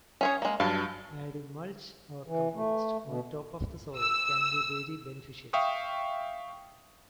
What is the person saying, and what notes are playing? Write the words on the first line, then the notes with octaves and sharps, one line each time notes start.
Adding mulch or compost on top of the soil can be very beneficial.
C#4 G#4 C#5
G#3 A#3
G2 F#3 F5 A5
E3
A3
B2
E6
E5 F5 G5 C#6 D#6